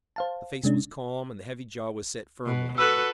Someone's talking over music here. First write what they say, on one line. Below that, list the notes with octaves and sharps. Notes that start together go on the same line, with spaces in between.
The face was calm and the heavy jaw was set firmly.
C5 F5 A5
C3 G#3 C#4 D4
B2
F#4 A4 B4 E6 F#6